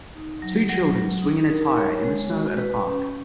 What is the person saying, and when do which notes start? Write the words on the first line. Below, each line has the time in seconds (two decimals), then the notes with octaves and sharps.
Two children swing in a tire in the snow at a park.
0.15 D#4
0.42 F#3
0.69 F#3
0.95 F#3
1.22 D#4
1.50 A#4
1.77 C#5
2.04 G#3
2.30 F#4
2.57 B4
2.85 C#4